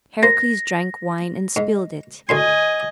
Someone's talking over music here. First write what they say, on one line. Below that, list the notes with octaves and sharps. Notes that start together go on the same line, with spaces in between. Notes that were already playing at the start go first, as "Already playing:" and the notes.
Heracles drank wine and spilled it.
A#3 C5 A#6
G#2
D2 A2 D#5 G#5 C6